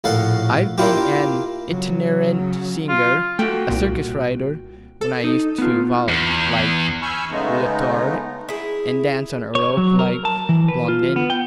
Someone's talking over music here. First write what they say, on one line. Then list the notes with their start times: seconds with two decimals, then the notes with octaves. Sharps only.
I've been an itinerant singer, a circus-rider, when I used to vault like Leotard, and dance on a rope like Blondin.
0.04 A#1 A2 A4 F5 F#5
0.78 A#3 D4 E4 F4 G4
1.68 C#3 F#3
2.88 F4
3.39 A3 F#4 G5
3.69 C2 A#2
5.01 A4
5.24 D#4
5.58 B3 F4
6.09 E2
7.02 G#5 B5 C#6 E6 F6 G6
7.30 C#3 G#3 A3 B3 D#4
8.49 E4 G#4
9.55 C#5
9.77 F#3
9.99 A#4
10.25 A5
10.49 E3
10.68 B4
10.88 F4
11.16 B3
11.30 G5